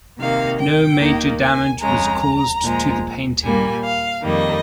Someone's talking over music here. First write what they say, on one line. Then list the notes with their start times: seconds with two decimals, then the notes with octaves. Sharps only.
No major damage was caused to the painting.
0.19 C3 D#3 A#3 F5
0.60 G5
1.00 D#2 D#3 A#3
1.41 G#5
1.81 F2 C#3 G#3 A#5
2.62 A#2 F3 G#3
3.42 A#2 G3 A#3 G#5
3.83 F5
4.23 F2 D#3 G3 A#3 D#5